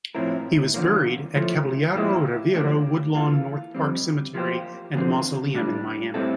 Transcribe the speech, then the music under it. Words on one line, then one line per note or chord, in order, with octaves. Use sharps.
He was buried at Caballero Rivero Woodlawn North Park Cemetery and Mausoleum in Miami.
A2 F3 C4 E4 A#4
E2 D3 F3 A#3
A2 F3 A3
A2 F3 A#3 E4 G4
A2 F3 A#3 D4 G4
E3 A#3 F4 A4
F2 D3 G3 C4
F3 A#3 E4 G4 C5
E2 D3 F3 C4
A2 G3 D4
A2 G3 C4 E4 A4